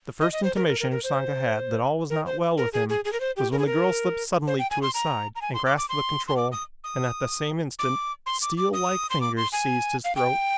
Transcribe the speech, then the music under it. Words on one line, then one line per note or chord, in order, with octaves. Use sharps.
The first intimation Usanga had that all was not well with him was when the girl slipped suddenly to his side and grasped the control and at the same instant steel-like fingers seized his throat.
D#5
D#5
C5
A#4
A#4
A#4
A#4
C5
A#4
C5
A#4
G#4
G#4
G#4
A#4
C5
G4
A#4
G#4
A#4
C5
G5
G#5
C6
A#5
A#5
G#5
C6
D6
D6
C6
C6
D6
D#6
D#6
D6
C6
D6
D6
D#6
C6
D6
C6
G#5
F5
G5